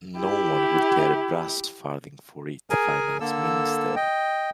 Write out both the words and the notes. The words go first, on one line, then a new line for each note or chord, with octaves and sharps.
No one will care a brass farthing for it Finance minister.
E4 G4
G#4 A#4 G#5
D3 A#3 A4 E6
D#5 G5